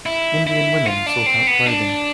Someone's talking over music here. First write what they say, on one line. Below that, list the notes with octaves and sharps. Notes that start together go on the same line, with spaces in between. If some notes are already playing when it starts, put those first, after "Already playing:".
Indian women sort out clothing.
E4
E4
F4
D4
C4
B3
D4